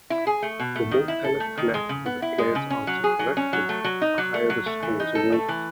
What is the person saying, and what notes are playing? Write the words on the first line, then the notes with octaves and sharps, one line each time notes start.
The more pellets left when the players answer correctly, the higher the scores awarded.
E4
G#4
A3
B2
A3
D#3
E4
A4
A3
D#3
G#3
C#3
B3
E4
G#3
C#3
C#4
F#3
G#4
F#3
C#4
F#3
A3
F#3
D#4
F#3
A3
F#3
A3
E3
D#4
A4
A3
E3